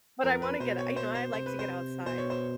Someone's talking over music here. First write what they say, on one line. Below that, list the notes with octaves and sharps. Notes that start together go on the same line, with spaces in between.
but I wanna get you know, I like to get outside,
F2 A#4
B4
B2 C5
C#5
C5
C5
C3 C5
B4
C5
B2 C5
C#5
C5